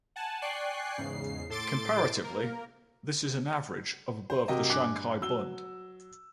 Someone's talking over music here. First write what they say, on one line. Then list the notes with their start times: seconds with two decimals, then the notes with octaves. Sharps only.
Comparatively, this is an average of above the Shanghai Bund.
0.16 F#5 G#5 A5
0.42 D5 G5 G#5 C#6 F#6 C7
0.98 E2 G#2 C#3 C7
1.49 A2 A4 C6 D6 A6 D7
2.24 A#3 A#4
4.30 C5
4.48 C3 F#3 F#4 A#4 D#5 G5
4.69 G2 G#5 D6 F#6
5.21 F#3 E6 G7